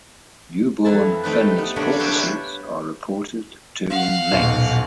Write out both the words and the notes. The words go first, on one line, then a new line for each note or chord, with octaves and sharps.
Newborn finless porpoises are reported to in length.
F2 E3 E4 A5
G3 A3 C4 D#4 G4 B4
B3
D3 A#3 D4 C#5 B5
A#4 B4 C#5 E5 G5
F5 F#5
D#1 B1